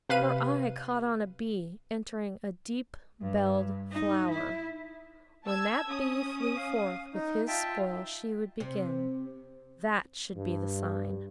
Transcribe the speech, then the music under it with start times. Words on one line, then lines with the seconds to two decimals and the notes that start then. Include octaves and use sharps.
Her eye caught on a bee entering a deep-belled flower: when that bee flew forth with his spoil she would begin--that should be the sign.
0.09 C3 B4 F5 D#7
3.21 G2
3.91 D#4
4.31 E4
5.44 A5 E6 G#6
5.88 C#4 D#6
6.56 F5
7.14 D#4
7.48 F4 E5 G5 A5
8.60 C3
10.36 G2